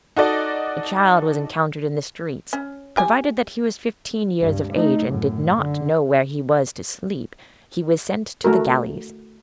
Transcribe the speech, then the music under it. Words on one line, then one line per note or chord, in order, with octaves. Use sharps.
A child was encountered in the streets; provided that he was fifteen years of age and did not know where he was to sleep, he was sent to the galleys.
D#4 F#4 A4 D5 D#5
C#4
G4 G#5
C#2 G2
A3 D#4
F#2 A2
D3
A3 F#4 A#4